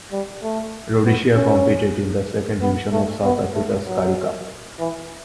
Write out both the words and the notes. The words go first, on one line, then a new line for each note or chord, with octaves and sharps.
Rhodesia competed in the second division of South Africa's Currie Cup.
G3
A3
B3
C#4
B3
A3
B3
A3
F#3
E3